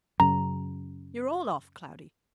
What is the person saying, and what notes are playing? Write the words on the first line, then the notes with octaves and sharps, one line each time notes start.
You're all off, Cloudy.
F#2 C#3 A#5